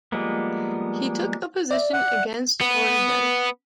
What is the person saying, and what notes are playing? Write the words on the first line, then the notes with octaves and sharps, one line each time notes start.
He took a position against Origen.
F3 G3 G#3 A#3 B3
D5 E5
F#5
B3